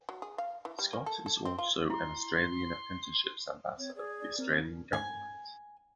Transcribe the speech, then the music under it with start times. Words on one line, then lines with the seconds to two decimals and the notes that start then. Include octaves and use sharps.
Scott is also an Australian Apprenticeships Ambassador for the Australian Government.
0.09 F#3
0.22 G#4
0.38 F5
0.65 E3
0.79 G3
0.93 A#3
1.06 A4
1.26 A4
1.45 C4
1.58 F4
1.90 E4 C6
3.78 C4 C#5
3.96 G#4 D5
4.18 D5
4.39 C4 A#4
4.93 G#5